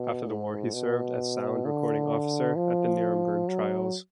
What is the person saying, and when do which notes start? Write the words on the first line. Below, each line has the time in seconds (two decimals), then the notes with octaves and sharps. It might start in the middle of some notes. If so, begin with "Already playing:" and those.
After the war, he served as Sound Recording Officer at the Nuremberg Trials.
Already playing: B2
0.28 G#2
0.73 B2
1.65 D3
2.56 F3
3.48 F#3